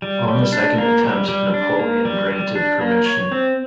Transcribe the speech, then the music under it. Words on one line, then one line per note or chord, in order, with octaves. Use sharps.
On the second attempt, Napoleon granted permission.
G3
G3
D4
A#3
G3
G3
D4
A#3
G3
G3
D4
A#3
C#5
C4